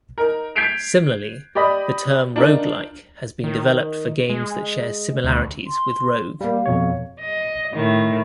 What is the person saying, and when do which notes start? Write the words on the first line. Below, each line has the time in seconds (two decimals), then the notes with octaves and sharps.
Similarly, the term Roguelike has been developed for games that share similarities with "Rogue".
0.18 D#4 A#4
0.56 G6 G#6 B6 C7 D7 F7
1.55 G4 D5 D#5 B5 D#6
2.36 D4 D#4 F4 A#4
3.44 D#3
4.30 G#3
5.24 D2
5.67 C6
6.41 G3 A#3 F5
6.66 F2 B2 C#5
7.20 D#5
7.73 A2 D#3 A3